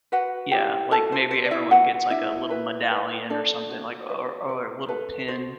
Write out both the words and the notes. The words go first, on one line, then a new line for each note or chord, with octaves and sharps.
Yeah, like, maybe everyone gets, like, a little medallion or something, like, o or or a little pin?
F#4 B4 F#5
E4 G4 G5
F#4 A4 A5
C5
F#4 C5
D5
E4 E5
F#4 B4 F#5
D4 E4 E5
B4
B4
D4 A4 D5
F#4
B4
B4
A4 B4
F#4 C5